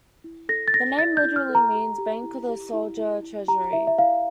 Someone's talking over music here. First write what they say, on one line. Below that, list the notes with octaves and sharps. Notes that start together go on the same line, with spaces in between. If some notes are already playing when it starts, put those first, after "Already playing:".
The name literally means "Bank of the Soldier Treasury".
E4
A4 A#6
A6
A4 A#6
D5 A6
G6
E4
F6
A4
A#5
G4
G4
E4
G4
E4
E4
E4
G4 A#5
E4 E5
E5
E4 F5